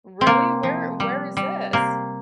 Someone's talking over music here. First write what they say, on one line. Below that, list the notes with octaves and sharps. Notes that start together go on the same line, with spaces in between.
Really? Where where is this?
C4
C3 A#3
F3
G3
G3
C3 A#3